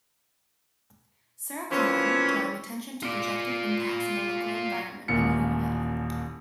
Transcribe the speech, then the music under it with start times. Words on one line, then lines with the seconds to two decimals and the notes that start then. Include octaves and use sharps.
Sarah Palin, drawing attention to projected impacts on the local environment and human health.
1.70 E3 F3 A#3 C4 C#4 C#5
3.03 F4 D5
5.08 D#1 A1 A#2 C#7